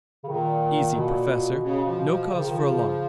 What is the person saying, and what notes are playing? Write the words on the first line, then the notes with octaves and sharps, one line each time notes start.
"Easy, professor, no cause for alarm."
C#3
A#2 D#3
B2
C#3
F3
F3
C#3 F3
D#3
C#3